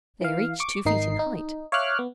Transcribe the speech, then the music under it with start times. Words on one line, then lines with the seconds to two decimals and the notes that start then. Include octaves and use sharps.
They are each two feet in height.
0.21 E3 F5
0.60 C#6 D6
0.85 G#1 D#3 D#4 C7
1.19 D#4
1.72 C#5 E5 F5 D6 F6 F#6
1.99 B3